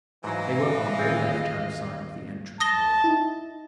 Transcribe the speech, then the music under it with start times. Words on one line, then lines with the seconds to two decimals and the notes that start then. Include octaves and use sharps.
They were on the left-hand side of the entrance-hall.
0.24 G#2 E3 F#3 D#5 F5
0.99 D#1 C4 F4 G#4 C#5
2.60 A5 D#6 A#6 G7
3.04 D#4 E4